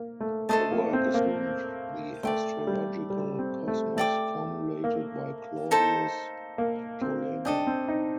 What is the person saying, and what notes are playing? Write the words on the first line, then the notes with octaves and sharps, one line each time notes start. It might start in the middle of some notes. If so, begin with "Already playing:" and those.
The work assumed the astrological cosmos formulated by Claudius Ptolemy.
Already playing: A#3
A3
A3 A4 C5 D#5 A5
A#3
C4
A#3
A3 D5 G5 C6
G3
G3
C4
A3
A3 D5 G5 D6
A#3
D#4 A4 C5
A#3
C4
D4 A4 D#5 G5
C4
D#4